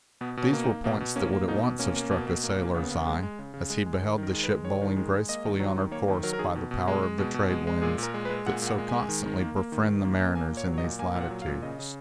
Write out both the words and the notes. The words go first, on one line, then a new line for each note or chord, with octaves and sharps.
These were points that would at once have struck a sailor's eye, as he beheld the ship bowling gracefully on her course by the power of the trade winds that so constantly befriend the mariners in these latitudes.
B2 B3
B2
C#4
A#3
D#4
A#3
B2 A#3
B2
A#3 C#4
A#3
B2 D#4
B2
A#3 C#4
A#3
B2
B2
A#3
A#3
C#3 B3
C#3
G#3
G#3
C#3
C#3
G#3
G#3
D#3
D#3
A#4
G#3
B4
G#3
D#3 C#5
D#3
G#3
G#3
A#3 D#5
D#3
F#3
D#3
A#3 C#5
D#3
F#3 A#4
A#4
D#3 G#4
B2
B2
G#3
G#3
B2
B2
G#3
G#3
A#2 G#4
A#2 A#4
G#3
B4
G#3
A#2 F#5
A#2
F#5
G#3
G#3 G#5
D#3
D#3
A#3
A#3
D#3
D#3
A#3
A#3
A#3 G#5
A#2 C#5
F#3
C#5
D#5
A#2
A#3 G#5
A#2 F5
F#5
F#3
F5
A#2
C#3 D#5
C#3